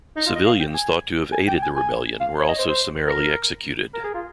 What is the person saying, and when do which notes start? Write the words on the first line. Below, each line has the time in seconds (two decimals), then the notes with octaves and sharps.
Civilians thought to have aided the rebellion were also summarily executed.
0.16 D#4
0.26 F4
0.36 D#5
0.46 F5
0.60 G5
0.74 G#5
1.32 G#5
1.48 G5
1.63 G#5
1.76 G#5
2.20 F5
2.39 C#5
2.49 D#5
2.59 C5
2.69 C5
3.07 A#4
3.94 A#4
4.04 G#4
4.14 F4